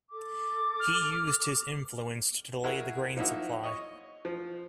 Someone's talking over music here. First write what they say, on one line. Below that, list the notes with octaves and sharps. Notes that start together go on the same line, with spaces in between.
He used his influence to delay the grain supply.
A4 D6
F6
E4 F#4 G#4 A#4
F3 A#3 D#4 E4 F#4
C#5 D#5
F3